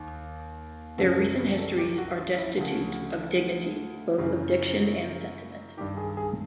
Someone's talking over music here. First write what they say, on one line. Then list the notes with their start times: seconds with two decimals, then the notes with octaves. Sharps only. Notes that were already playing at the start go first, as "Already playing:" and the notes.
Their recent histories are destitute of dignity, both of diction and sentiment.
Already playing: D#2 D#3
0.98 F#2 C#3 F3 A4
1.18 A#4
1.38 B4
1.59 A4
1.78 G4
1.98 F#4
2.18 F4
2.38 E4
2.57 D2 C#3 F3 F#4
4.18 F#2 C#3 E3
5.77 D#3 G4
5.81 G2
5.97 G#4
6.17 G#4